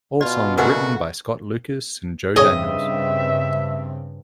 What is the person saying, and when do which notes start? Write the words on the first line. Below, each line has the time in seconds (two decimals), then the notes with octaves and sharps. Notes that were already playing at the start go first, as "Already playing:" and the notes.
All songs written by Scott Lucas and Joe Daniels.
0.21 B2 F4 D5
0.58 A#2 C#3 A3 F#4 A#4 B4 F#5
2.36 G2 C#3 C4 G#4 C#5 D#5 E5 G#5